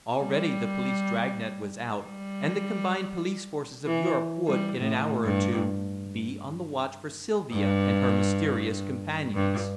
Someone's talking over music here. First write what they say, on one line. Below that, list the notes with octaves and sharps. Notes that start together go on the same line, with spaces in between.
Already the police drag-net was out, and the combined police forces of Europe would, in an hour or two, be on the watch for Sylvia and her mysterious companions.
G3
G3
E3
G3
A2
G2
G2
G2